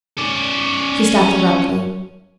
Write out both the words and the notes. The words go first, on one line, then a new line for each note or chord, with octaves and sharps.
She stopped abruptly.
C#4 D5